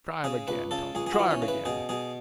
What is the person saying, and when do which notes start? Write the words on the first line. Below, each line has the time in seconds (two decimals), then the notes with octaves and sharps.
'Try 'em again, Tom; try 'em again.'
0.24 C#3 G#4
0.48 C#2 B4
0.71 C#3 A4
0.95 C#2 G#4
1.06 G#4
1.13 F#4
1.19 E3
1.31 C#4
1.42 C#3
1.48 B4
1.65 B2 G#4
1.89 B2 G#4